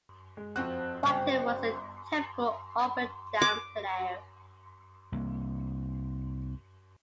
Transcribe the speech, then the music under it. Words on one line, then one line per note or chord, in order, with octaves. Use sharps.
Whiten was a typical up-and-down player.
G#3
F2 F3 C4 F#4 F#6
G1 C#3 F#3 C4
D6
C2 A#3